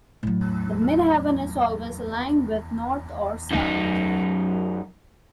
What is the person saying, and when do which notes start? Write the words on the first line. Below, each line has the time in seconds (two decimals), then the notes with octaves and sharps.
The Midheaven is always aligned with north or south.
0.23 A2 F#3
3.51 F#2 D#4